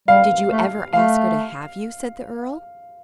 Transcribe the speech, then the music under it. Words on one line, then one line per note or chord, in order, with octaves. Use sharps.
"Did you ever ask her to have you?" said the earl.
G3 F5
A3
A3 F5